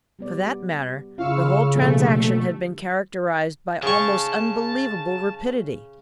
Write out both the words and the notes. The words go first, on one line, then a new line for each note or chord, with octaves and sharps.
For that matter, the whole transaction had been characterised by almost unbelievable rapidity.
G3 B3 D5
C#3 C#4 E4 F4 F5 C#6 E6
B2 D3 F3 G3 A3 A#3 F4
C#3 A5 C#6